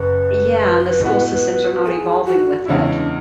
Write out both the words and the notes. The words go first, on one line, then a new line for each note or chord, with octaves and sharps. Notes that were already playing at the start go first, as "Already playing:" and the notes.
Yeah, and the school systems are not evolving with it,
Already playing: F#1 F#2 B4
A2 G#3 B3 F#4
B4
G#4
F#4
E2 C#3 G#3 C#4 D4 E4